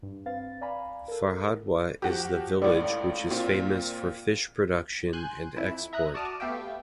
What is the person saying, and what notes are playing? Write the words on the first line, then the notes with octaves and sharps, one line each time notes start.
Farhadwa is the village which is famous for fish production and export.
G2
C4 B4 F5 A6
D5 F5 G#5 A#5 B5
A4 A#4
F3 F#4 G4
C#2 A2 D5
A#2 C4 F4
G#5 C6 F#6 G6
F2 E4
E5 A#5 D#6 F#6
F#4 D5 A5 D6 D#6 F6
A3 B3 G4 E5 F5 G5